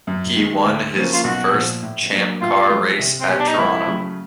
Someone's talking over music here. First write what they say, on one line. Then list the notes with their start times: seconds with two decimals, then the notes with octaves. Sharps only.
He won his first Champ Car race at Toronto.
0.07 F#2
0.36 D#3 G#3
0.65 D2
0.95 C#3 F3 A#3 C#4
1.13 F4
1.24 B1 F#4
1.53 A#2 F3
1.82 A2
2.12 F#3 A#3 D4
2.41 A2 F4
2.70 F3 G#3
2.99 C2
3.20 C4
3.29 B2 G3 C#4
3.40 D4
3.48 D#4
3.58 C#2 E4
3.87 C#3 F#3 A3